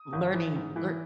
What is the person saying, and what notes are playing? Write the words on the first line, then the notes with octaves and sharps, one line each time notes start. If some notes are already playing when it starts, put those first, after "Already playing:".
learning lear
Already playing: D#6
G#1
E3
G#2
E3